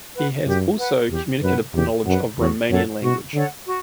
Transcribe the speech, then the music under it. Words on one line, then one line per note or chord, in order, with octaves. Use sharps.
He has also communicative knowledge of Romanian language.
B4 F#5
F#2 G4
B4 F#5
E2 G4
F#2 B4 F#5
E2 G4
F#2 B4 F#5
E2 F#4
F#2 A4 C#5 F#5
B2 F#4
D3 A4 C#5 F#5
F#4